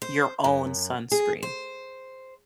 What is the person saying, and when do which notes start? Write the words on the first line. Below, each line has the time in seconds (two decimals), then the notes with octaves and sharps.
your own sunscreen,
0.02 C5
0.44 F#2
1.12 G#4
1.43 C5